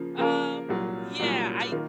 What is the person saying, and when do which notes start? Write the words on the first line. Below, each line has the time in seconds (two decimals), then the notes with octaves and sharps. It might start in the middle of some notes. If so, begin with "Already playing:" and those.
Um, yeah, I
Already playing: C#3 F3 A#3
0.18 C#3 F3 A#3 F4 A#4
0.69 C2 A#2 F#3
1.20 C2 A#2 F#3
1.72 D#3 A#3 F4